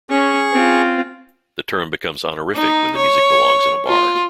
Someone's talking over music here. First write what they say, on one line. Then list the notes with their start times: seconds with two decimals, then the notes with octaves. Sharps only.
The term becomes honorific when the music belongs in a bar.
0.10 C#4 G#4 C#6
0.53 C4 F4
2.55 D#4
2.97 C#5
3.88 F4